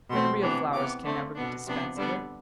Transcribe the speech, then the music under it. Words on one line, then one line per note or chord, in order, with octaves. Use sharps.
But real flowers can never be dispensed with.
B2 A3 C4 C6
C3 E3 B3 D4
C3 E3 B3 D6
D3 A3 C4
B2 B3 D4
C3 F3 B3 D4
D3 G3 B3 D4